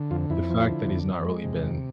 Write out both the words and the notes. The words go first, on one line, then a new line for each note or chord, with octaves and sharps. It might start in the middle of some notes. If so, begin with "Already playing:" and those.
the fact that he's not really been
Already playing: D3
F2 F4
F2 E4
F3
D3
F2
F2
G#3
C3
F2